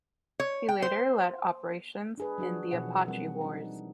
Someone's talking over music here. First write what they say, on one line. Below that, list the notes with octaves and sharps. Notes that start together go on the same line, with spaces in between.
He later led operations in the Apache Wars.
C#5
G5
C5
D4 G#4 B4
F#3 D4 F#4
B2 E3 F3 F#5
G3 C4 A#4 F#5
D4 D#4